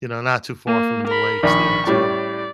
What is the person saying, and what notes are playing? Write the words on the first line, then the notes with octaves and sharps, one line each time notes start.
you know, not too far from the lakes there too.
A#3
A#4 B5
A#1 D#3 D5 B5 C#6
A2 G3 C#4 D5